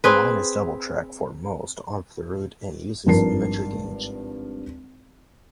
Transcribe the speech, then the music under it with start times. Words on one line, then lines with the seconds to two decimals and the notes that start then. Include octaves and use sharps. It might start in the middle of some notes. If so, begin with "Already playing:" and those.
The line is double track for most of the route and uses Metre Gauge.
0.04 C4 G#4 B4
3.06 G#1 G2 F3 A#4 A5 C7